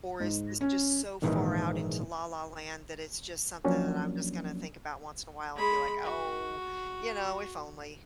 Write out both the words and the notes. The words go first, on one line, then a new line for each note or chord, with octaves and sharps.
or is this just so far out into la, la, land that it's just something that I'm just gonna think about once in a while, and be, like, "Oh, you know, if only"
G#2
C#4
A#1 G#2 D#3 E3
F3 F#3 A#3 C#4 D4
G#3 B5
F#4